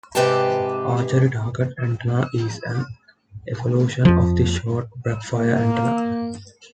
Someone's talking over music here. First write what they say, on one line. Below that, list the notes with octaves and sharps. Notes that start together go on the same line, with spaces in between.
Archery target antenna is an evolution of the short-backfire antenna.
G#2 C3 G4 B4 G5 A5
F2 F3
A#3